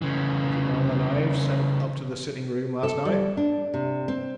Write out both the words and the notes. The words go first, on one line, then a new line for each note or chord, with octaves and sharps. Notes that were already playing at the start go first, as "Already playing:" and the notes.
"Was it one of the knives sent up to the sitting-room last night?"
C#3 E3
A4
G3
D4
C3
C4